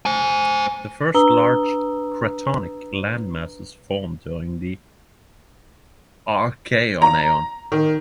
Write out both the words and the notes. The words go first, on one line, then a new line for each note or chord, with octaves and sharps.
The first large cratonic landmasses formed during the Archean eon.
C5 G#5
D4 B4 A#5 D#6 E6 G7
A#5
D#3